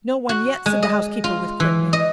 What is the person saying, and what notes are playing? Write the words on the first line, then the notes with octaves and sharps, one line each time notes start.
"No one yet," said the housekeeper, with quickness.
F#4
G#3
D#5
F4
E3
D#5